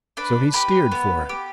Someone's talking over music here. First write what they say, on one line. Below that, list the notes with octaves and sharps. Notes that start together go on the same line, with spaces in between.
So he steered for it.
D4 B4
G4 B4
B3
G4